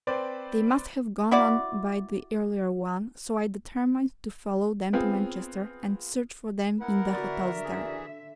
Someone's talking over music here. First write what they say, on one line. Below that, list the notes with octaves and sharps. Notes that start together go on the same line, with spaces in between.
They must have gone on by the earlier one, so I determined to follow them to Manchester and search for them in the hotels there.
C4 B4 C5 D5
E4 F#4 D5
B3 C4 F4 G#4
B3 E4 A#4 F#5
D3 F#4 D5 E5
E3 G#4